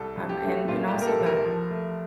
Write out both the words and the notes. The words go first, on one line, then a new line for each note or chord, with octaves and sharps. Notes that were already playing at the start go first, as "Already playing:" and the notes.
Um, and and also, that
Already playing: C2 A4
C2
G4
A3
A#2 F4
G4
A#2
A#4
A4
C2
A#4
F3
A3